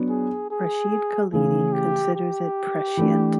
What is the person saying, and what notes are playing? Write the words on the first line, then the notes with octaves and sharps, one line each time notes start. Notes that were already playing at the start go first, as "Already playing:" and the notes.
Rashid Khalidi considers it "prescient".
Already playing: F#3 B3 D4
G#4
G#4
C#3 E3 A3 G#4
G4
G4
E3 A3 D4